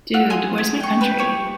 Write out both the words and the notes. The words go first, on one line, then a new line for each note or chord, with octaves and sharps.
Dude, Where's My Country?
F#4 F5 E6
G#5 C6 D#6
G#4
G5 C#6
B4 G5
G4 C#5